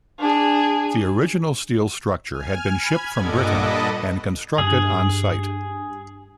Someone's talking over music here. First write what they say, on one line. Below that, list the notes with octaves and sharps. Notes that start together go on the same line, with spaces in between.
The original steel structure had been shipped from Britain and constructed on site.
D4 G#4
G#5 F6
B5 G#6
G2 A#2 A4 D#5 F#5 D6
B4 D#5 A5 B5
G2 G#4